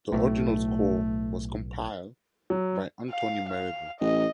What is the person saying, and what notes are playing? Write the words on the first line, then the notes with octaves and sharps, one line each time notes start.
The original score was compiled by Anthony Meredith.
B1 A2 A3
F#3
F5
F5
A1 D#5